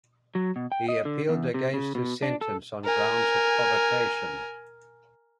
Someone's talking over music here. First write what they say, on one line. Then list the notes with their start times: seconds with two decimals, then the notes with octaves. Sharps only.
He appealed against his sentence on grounds of provocation.
0.35 F#3
0.56 B2
0.72 G5
0.88 D#5
1.05 D3
1.29 E2
1.54 C3
1.74 C#3
1.95 B2
2.22 D4
2.41 A4
2.85 A#4 G#5